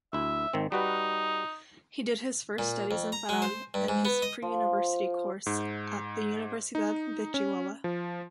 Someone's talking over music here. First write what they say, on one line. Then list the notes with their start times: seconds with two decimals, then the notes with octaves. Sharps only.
He did his first studies in Parral and his pre-university course at the Universidad de Chihuahua.
0.13 D2 E4 E5
0.53 G#1 D#3 C4
0.72 G3 D#4 F#4 B4
2.59 A#2
2.91 F2
3.12 A#5
3.29 G#3
3.42 C5
3.74 G2
3.89 G#2
4.05 B3
4.22 D#5
4.42 F3
5.46 G#2
6.75 D#4
7.34 C#4
7.84 F3